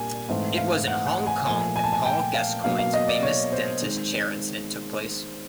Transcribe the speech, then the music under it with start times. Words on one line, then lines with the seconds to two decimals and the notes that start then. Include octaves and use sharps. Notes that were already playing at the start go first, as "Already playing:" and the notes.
It was in Hong Kong that Paul Gascoigne's famous dentist chair incident took place.
Already playing: A#2 G3 A#3 D4 G#5
0.28 G#2 E3 A3 C4
0.58 F5
0.87 F#5
1.07 F#5
1.26 G#5
1.46 A#2 F3 A3 G#5
1.76 G#5
1.84 A5
1.93 G#5
2.05 G5
2.34 F5
2.64 B2 F#3 A#3 D4 F5
2.79 F5
2.93 D#5
3.08 D5
3.23 C#5
3.52 C5
3.82 D#3 G#3 C4